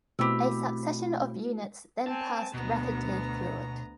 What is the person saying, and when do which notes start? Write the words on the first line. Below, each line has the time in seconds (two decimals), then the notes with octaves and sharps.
A succession of units then passed rapidly through it.
0.19 B2 A3 C4 E4 F#4 G4 B5 E6
2.07 C4 G#5 A5
2.54 D2 B2 B3 A#5